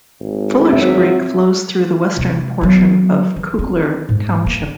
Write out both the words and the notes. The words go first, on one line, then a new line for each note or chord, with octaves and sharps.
Fullers Creek flows through the western portion of Kugler Township.
G#1
F#3 C4 E5
C3 G#3
F#3 B3
E3
C4
G#2
F3 A#3